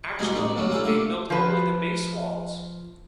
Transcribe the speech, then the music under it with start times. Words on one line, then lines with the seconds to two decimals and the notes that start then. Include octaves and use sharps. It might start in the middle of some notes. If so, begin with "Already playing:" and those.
Actually, they built only the base walls.
0.04 C#6
0.19 D#2 B2 G3 G#3 D#4 D#5
0.35 A1 D#4 D5 C#6
0.56 D#2 A2 F#3 G3 C#4
0.70 A#3 C#4 E4 F4 G4 A4
0.84 D3 A3 A#3 E5
1.30 F3 B4